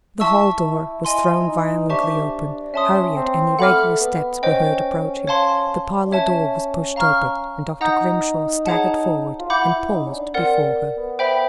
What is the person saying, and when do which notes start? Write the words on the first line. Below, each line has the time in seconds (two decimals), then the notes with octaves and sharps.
The hall door was thrown violently open, hurried and irregular steps were heard approaching, the parlor door was pushed open, and Dr. Grimshaw staggered forward and paused before her!
0.20 E4 E5 A5 C#6 E6
0.63 E4
1.05 E4 D#5 G#5 C6
1.39 E4
1.47 D#4
1.89 D4 G4 C5 E5 A5 C#6
2.73 C#4 E5 A5 C6 D#6
3.17 C4
3.59 A3 F#5 B5 D6 F6
4.01 B3
4.42 C#4 C5 D#5 G5
5.27 C#5 F5 A5 C6
6.07 D4
6.11 C#4 C#5 E5 A5
6.96 F5 A#5 C#6 F6
7.81 D#4 D#5 F#5 A#5 D#6 G6
8.66 G#4 C#5 F#5 A5
9.40 F4
9.50 E4 F#5 B5 D6 G6
9.71 E4
9.92 D#4
10.06 C#4
10.13 D4
10.34 C4 A#4 D5 F#5
10.98 B3
11.19 C5 E5 G5 B5